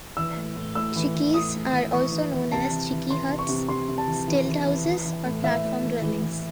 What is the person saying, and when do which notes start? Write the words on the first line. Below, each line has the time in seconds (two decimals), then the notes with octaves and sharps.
Chickees are also known as chickee huts, stilt houses, or platform dwellings.
0.17 E3 E6
0.37 A2
0.56 A2
0.75 A2 E6
0.96 E3
1.15 E3
1.34 A2 D#6
1.54 A2
1.73 E3
1.92 E3 C#6
2.12 E3
2.32 E3
2.52 C3 A5
2.71 E3
2.91 E3
3.10 E3 C6
3.29 C3
3.39 C#6
3.49 C3
3.68 C3 C6
3.88 C3
3.98 A5
4.08 E3
4.27 E3
4.46 E3
4.66 E3
4.85 E3
5.06 E3
5.25 A2
5.43 E3 E5
5.63 A2
5.83 E3
6.02 E3
6.21 E3